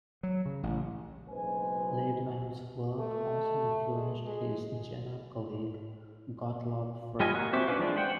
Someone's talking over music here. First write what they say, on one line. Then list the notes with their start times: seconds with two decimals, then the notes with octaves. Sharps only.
Liebmann's work also influenced his Jena colleague Gottlob Frege.
0.23 F#3
0.46 C#3
0.63 A1
1.29 F#1 B1 G#3 B4 C5 G#5
2.99 A3
3.94 G#3
4.26 G#3
7.20 G3 F4 D#5 G#5
7.35 A#3 F#4
7.53 C4 F#4 C5 E5 D6
7.67 C#4 D4 B4 F5
7.79 F3 G#3 D4
7.97 C5 F#5 G5